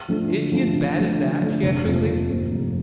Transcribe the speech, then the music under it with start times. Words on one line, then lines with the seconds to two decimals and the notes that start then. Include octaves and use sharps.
"Is he as bad as that?" she asked quickly.
0.08 F3 A3 D4
0.31 D3
0.52 F3 A3 D4
0.75 D3
0.96 F3 A3 D4
1.19 D3
1.41 F3 A3 D4
1.63 F1
1.85 F2 C3 F3 A#3
2.07 F1
2.29 F2 C3 F3 A#3
2.52 F1